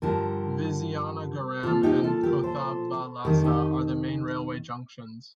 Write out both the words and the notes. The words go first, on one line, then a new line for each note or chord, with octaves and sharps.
Vizianagaram and Kothavalasa are the main railway junctions.
G2 D3 F3 G4 A#4
A#2 F3 F4 A4
D#4 G4
F4 A4
G4 A#4
A4 C5
F2 D#3 G4 A#4
A4
D#4 G4